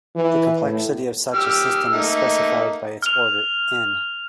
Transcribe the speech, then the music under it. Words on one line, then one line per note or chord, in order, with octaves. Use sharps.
The complexity of such a system is specified by its order "N".
E3
A2
G4 E6 F6
A3 A#3 D#4
F6 F7